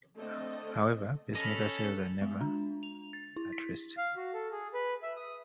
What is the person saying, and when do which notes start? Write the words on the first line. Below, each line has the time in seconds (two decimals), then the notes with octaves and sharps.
However, pacemaker cells are never at rest.
0.18 D3 A3 C4 A4 D#5
1.35 C#4 A4 D#5 B5 F6
2.22 G#3
2.41 D4
2.83 F7
3.13 A6
3.36 E4
3.52 B6
3.97 F5
4.16 F#4
4.34 A4
4.52 G#4
4.74 B4
5.03 E5
5.17 D#6